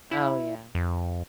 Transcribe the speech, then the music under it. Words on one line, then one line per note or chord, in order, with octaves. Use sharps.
Oh, yeah.
E4
F2